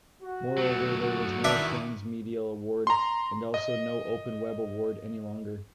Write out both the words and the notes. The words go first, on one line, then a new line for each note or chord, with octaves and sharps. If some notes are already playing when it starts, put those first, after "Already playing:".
Moreover, there was no transmediale Award and also no Open Web Award any longer.
F#4
F#3 A3
D#3 E3 D4 E5
A#5 C6
D#5